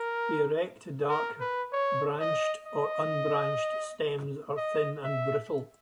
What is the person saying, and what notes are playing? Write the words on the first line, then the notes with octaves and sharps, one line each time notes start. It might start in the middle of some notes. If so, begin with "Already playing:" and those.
The erect, dark, branched or unbranched stems are thin and brittle.
Already playing: A#4
A#4
B4
C#5
D#5
D#5
D#5
E5